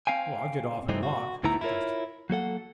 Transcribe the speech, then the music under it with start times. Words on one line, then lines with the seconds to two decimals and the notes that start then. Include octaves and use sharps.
"I'll get off and walk," suggested.
0.07 C4 F5 G5 G#5
0.89 G2 C3 E3 A3 C4 D#4
1.03 F#4
1.43 D2 A2 B3 D#4 E4 A#5
1.61 E4 F4 A#4 C#5
2.30 F#3 A#3 A4 F#5